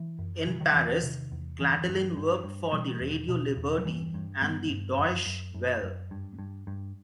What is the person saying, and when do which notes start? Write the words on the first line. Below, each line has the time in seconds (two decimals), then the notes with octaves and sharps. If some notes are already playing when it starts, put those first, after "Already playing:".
In Paris, Gladilin worked for the Radio Liberty and the Deutsche Welle.
Already playing: E3
0.19 F#2
0.47 C3 E3
0.60 D#3 F#3
0.71 F#3
0.75 E2 E3
0.89 E3
1.03 C3 D#3
1.31 E2
1.59 G2 E3
1.89 G2
2.17 G2
2.44 G2
2.73 B2 E3 G3
3.00 E2
3.28 B2
3.57 E2
3.78 F#3
3.85 G2 E3 G3
4.14 G2
4.42 G2 G3 B3
4.70 G2
4.98 F#2
5.26 F#2
5.55 F#2
5.82 F#2
6.11 G2
6.39 G2
6.67 G2